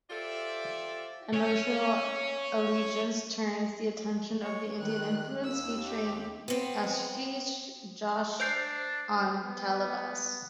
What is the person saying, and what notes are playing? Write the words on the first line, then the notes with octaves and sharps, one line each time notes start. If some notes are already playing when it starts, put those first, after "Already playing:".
"Emotional Allegiance" turns the attention to the Indian influence featuring Ashish Joshi on Tablas.
F4 G4 A4 C5 D5 E5
C#5 G#5
C#5
D#3 G3 F#6
D#2 E6
G4
B3 C4
D4 C5 G6 C7
B3